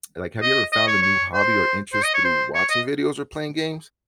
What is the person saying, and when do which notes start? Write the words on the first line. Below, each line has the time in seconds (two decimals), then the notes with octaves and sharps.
like, have you ever found a new hobby or interest through watching videos or playing games?
0.42 D#5
0.73 D#5
0.87 C#5
1.03 C#5
1.34 C5
1.93 C5
2.03 D#5
2.14 C#5
2.24 C5
2.55 C#5
2.70 D#5